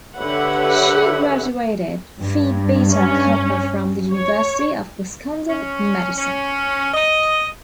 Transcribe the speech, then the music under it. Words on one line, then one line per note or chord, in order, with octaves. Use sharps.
She graduated Phi Beta Kappa from the University of Wisconsin-Madison.
D3 G4 B4 C#5 E5 F#5
G2
C#4
C#5
C#4
C#4
D#5